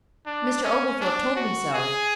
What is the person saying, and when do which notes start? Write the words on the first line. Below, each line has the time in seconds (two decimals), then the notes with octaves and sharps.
"Mr. Oglethorpe told me so."
0.26 D4
0.64 C#4
1.01 D4
1.36 F#4
1.74 G#4